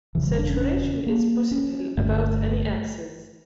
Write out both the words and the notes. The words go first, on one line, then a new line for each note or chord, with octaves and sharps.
Saturation is possible about any axis.
E1 E2 C#3 E3
G3
D4
C#4
C#4
A#3
C#4
G1 G2 D3 A3